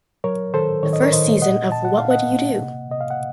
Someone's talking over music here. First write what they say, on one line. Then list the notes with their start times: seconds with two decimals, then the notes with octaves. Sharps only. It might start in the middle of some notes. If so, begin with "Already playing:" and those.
The first season of What Would You Do?
0.24 F#3 A#4 C#5
0.54 D#3 A4 C5
0.83 D#3 C#5
0.93 D#5
1.02 A#4 C#5
1.12 D#3 C5 D#5
1.42 A#2 D#5 F#5
1.72 A#2 A5
1.85 F#5
1.98 A#2 F5
2.11 D#5 F#5
2.32 A#3
2.61 C3
2.90 C3 D#5
3.01 F5
3.11 F#5